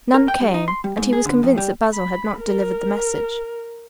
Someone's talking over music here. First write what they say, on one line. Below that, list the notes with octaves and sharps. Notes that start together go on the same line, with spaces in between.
None came, and he was convinced that Basil had not delivered the message.
A#4
G5
G2
D#4
C6
G3
G#2
G#4
D3
F2
G3
B5
A#4